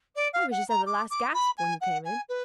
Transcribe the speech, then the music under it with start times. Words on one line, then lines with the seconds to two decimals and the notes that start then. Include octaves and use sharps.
I was just at the last gasp when you came in.
0.15 D5
0.33 F5
0.51 F#5
0.69 A#5
0.86 D6
1.10 D6
1.34 B5
1.57 G#5
1.81 F#5
2.04 G#5
2.29 B4